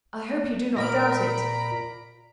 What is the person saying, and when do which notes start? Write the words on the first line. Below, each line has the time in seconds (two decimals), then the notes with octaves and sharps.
"I hope you do not doubt it."
0.76 A#2 F4 A#4 D5 B5 D7